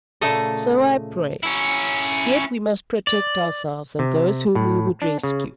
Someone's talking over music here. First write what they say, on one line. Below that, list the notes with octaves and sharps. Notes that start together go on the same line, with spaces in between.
"So I pray; yet we must protect ourselves and those whom we would rescue."
A#2 C#3 A3 A4 D#5
C#4 E4
D5
C3
A2
D4
C#3